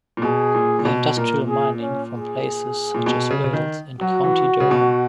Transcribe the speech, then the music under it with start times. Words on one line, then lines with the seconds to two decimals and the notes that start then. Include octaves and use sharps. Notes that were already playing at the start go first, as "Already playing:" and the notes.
The Industrial mining from places such as Wales and County Durham.
0.17 A#2
0.22 B2 G#4
0.55 A#2
0.79 A#2
0.85 B2
1.17 A#2 A#4
1.48 G#4
1.81 C#4
2.12 G#4
2.95 A#2
3.06 B2
3.31 C#3
3.44 C#3
3.53 D#3
4.01 F#3 F#4
4.24 E3
4.60 C#3
4.71 B2